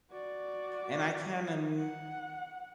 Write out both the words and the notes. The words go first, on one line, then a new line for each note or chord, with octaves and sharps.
and I can't im
F#4 D5
F#5